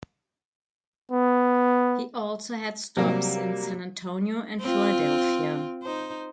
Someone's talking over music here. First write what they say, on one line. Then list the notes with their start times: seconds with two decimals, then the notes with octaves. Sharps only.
He also had stops in San Antonio and Philadelphia.
1.12 B3
2.97 C3 F#3 G3 A#3
4.61 C4 F4
5.83 D#4 C5